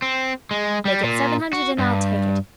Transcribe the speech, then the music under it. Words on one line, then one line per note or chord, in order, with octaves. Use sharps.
"Make it seven hundred and I'll take it."
C4
G#3
G3
A#2
F#4
G2